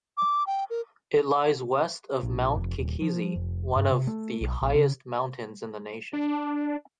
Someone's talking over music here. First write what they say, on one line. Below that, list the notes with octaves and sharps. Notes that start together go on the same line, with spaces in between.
It lies west of Mount Kikizi, one of the highest mountains in the nation.
D6
G5
A#4
A#1
F1
D#1
F3
F1
G2
C3
A3
B1
A#1
C#3
D4